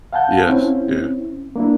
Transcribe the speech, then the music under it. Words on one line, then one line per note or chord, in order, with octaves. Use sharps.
Yes, yeah.
F5 F#5 G#5 A5 G6
C4 C#4 E4
A#3 D4 E4